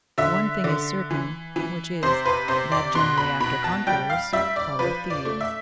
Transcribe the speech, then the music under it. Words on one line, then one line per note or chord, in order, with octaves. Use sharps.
One thing is certain, which is, that generally after conquerors follow thieves.
D3 E5
D3
E3
E3
C3 C5
B4
C3 C5
D5
B2 C6
B5
B2 B5
A5
G3 G5
F5
G3 E5
D5
F3 B4
D5
A3
E5